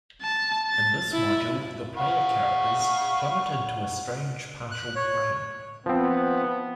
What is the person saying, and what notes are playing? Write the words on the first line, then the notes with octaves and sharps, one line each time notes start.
In this module, the player characters plummet into a strange partial plane.
A5
A6
E4
F5 F#5 B5 C#6
F#6
C#5
F3 B3 C4